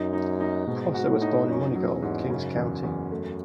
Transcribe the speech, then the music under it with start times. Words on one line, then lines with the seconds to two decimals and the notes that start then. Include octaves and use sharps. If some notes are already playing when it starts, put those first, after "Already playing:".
Prosser was born in Moneygall, King's County.
Already playing: F#2 D#4
0.13 D#4
0.40 D#4
0.67 G#2 B2
0.94 F#4
1.07 A2
1.22 D#4
1.48 F#2 C#4
1.75 F#3
1.89 E2
2.02 G#2
2.30 F#2 C#3
2.56 E2
2.84 E2
3.11 A3